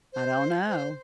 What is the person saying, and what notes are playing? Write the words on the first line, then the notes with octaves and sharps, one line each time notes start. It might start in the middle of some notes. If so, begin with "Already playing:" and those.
I don't know.
C5
C5